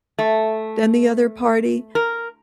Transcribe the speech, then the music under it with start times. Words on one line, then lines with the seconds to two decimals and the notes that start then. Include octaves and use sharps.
than the other party,
0.19 A3
1.95 A#4